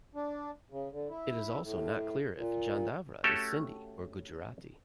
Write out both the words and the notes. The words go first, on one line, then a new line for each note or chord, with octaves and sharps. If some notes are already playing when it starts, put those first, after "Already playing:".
It is also not clear if Jandavra is Sindhi or Gujarati.
D4
C#3
D3
E4
A2
A#2
A3 C#4 F#4 G4 A4 E5